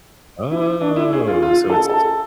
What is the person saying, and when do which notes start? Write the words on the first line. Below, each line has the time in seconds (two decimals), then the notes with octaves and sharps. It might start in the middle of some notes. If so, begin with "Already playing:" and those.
Oh, so it's
0.51 E4
0.82 D4
0.96 E4
1.13 G#4
1.27 F4
1.42 F4
1.70 A4
1.74 G#4
1.89 A4